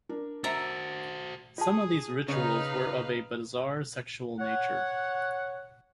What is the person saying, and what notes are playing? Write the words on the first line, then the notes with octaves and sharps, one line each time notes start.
Some of these rituals were of a bizarre sexual nature.
D4 A#4
F#4 C5 E5 A#5 A6 C#7 D7
F4 G#4 A5 D#6
C#3 D#4 B4 F5
C#5 F#5